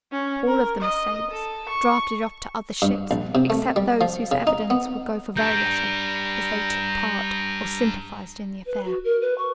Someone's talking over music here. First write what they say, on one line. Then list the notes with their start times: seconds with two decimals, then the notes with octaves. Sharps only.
All of them are sailors, drafted off to other ships, except those whose evidence would go for very little, as they took part, or sympathised in the affair.
0.12 C#4
0.47 A#4
0.80 D#5
1.31 A4
1.69 C#6
2.82 G2
3.11 A#1
3.35 C3
3.50 A3
3.76 G3
4.01 F3
4.31 C#3
4.47 D#4
4.70 B3
5.37 G3 D4 A#5 G6
8.66 B4
8.85 F#4
9.04 A#4
9.21 B4
9.37 C#6